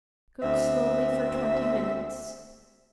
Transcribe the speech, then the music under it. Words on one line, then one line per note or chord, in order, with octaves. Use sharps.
Cook slowly for twenty minutes.
D2 C4 E5